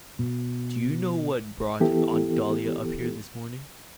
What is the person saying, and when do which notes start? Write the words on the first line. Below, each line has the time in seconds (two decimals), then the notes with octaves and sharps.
Do you know what brought Aunt Dahlia up here this morning?
0.19 B2
1.80 E3 B3 E4 G4 A4